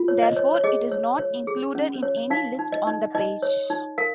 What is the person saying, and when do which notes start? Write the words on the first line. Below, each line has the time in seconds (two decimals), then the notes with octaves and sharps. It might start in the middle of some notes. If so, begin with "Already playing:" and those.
Therefore, it is not included in any list on the page.
Already playing: F4
0.08 C#5
0.22 D#5
0.36 C#5
0.55 C#5
0.64 G#4 D#5
0.91 C#5
1.19 C#5
1.47 G#4
1.75 C#4
2.03 C#5
2.30 D#4 F5
2.59 D#4
2.72 D#5
2.87 D#4
3.15 D#4 D#5
3.42 C#5
3.70 D#4
3.98 A#4 F5